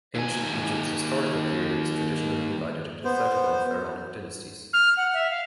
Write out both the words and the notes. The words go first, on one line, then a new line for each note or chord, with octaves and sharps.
Ancient Egypt's historical period is traditionally divided into thirty-one pharaonic dynasties.
D#2 G#5
B3 C5
F6
F#5
E5
F5